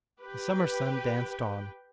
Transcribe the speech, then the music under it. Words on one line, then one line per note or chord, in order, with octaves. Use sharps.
The summer sun danced on.
G4 B4 G5